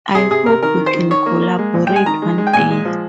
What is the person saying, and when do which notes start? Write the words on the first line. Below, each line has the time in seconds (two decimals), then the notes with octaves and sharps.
I hope we can collaborate one day.
0.15 C3 G#4
0.31 C3 G#4
0.46 C3 A#4
0.62 D#3 A#4
0.79 D#3
0.86 C5
0.95 D#3
1.10 D#3 C#5
1.26 A#3
1.42 A#3
1.59 G#3
1.74 A#2
1.87 G#3 G5
1.96 G#5
2.06 D#3 A#5
2.22 G#3
2.38 G#3
2.47 G5
2.53 A#2 G#5
2.70 G#3
2.85 F3